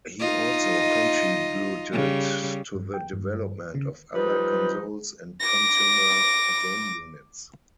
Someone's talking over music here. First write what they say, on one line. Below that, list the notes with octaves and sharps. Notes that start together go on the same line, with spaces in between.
He also contributed to the development of other consoles and consumer game units.
D#4 F4 D#5
C#3 G3
G2
G5
G2
C#3
F3 G3 D#4 B4
D6 A#6